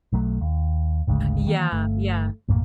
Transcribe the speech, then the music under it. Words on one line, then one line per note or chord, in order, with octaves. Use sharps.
Yeah, yeah.
B1 F#3 A3
D#2
G#1 D2 C#3 G#3
D#3 E3 A#3
G1 A3
B1 F#2 A2 A#3